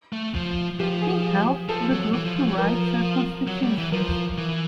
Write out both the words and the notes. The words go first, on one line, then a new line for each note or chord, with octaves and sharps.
He helped the group to write their Constitutions.
A3
F3
F3 G4
G#4
F3 A4
F#3
E3
F3
F3
F#3
F3 A#4
F#3
G3
E3
F3 A#4
E3